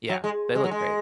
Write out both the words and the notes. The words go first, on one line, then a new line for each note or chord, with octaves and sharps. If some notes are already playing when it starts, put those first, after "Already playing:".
Yeah, they look great.
F#3
G#3
G#3
F#3
G#3